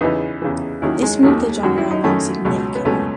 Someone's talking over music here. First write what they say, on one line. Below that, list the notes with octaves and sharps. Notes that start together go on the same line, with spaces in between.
This moved the genre along significantly.
E2 C#3 E3 B3 D#4
E2 C#3 E3
D#2 D#3 F#3 C#4 E4
G#3
D#2 D#3 F#3 A3
F#2 D#3 F#3 F#4
E4
D#4
F#2 D#3 F#3 A3 C#4
C#2 B2 F#3
B3
C#2 B2 F#3 A3 C#4